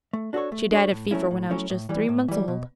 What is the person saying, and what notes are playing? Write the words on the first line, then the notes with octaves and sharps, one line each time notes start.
She died of fever when I was just three months old.
A3
D4 F#4 A4 C#5
A3
D4 F#4 A4 C#5
A2
F#3 A3 C#4 E4
A2
F#3 A3 C#4 E4
A2
E3 G3
A2
E3 G3
B2